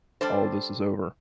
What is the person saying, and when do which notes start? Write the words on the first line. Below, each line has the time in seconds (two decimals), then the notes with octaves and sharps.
all this is over,
0.21 G3 D4 A4 C5